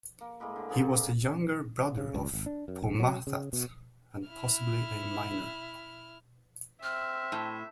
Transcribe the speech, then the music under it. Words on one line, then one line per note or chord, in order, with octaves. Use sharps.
He was the younger brother of Phommathat, and possibly a minor.
A#3
A2 G#3 A#3 B4
D3
A#3 G#4 C5 A5
G#4
G3
C#3
C#2
G#1
D4
F#2
F1
F#3
C#3
B2
E4 F6
C4 E5 F6
A2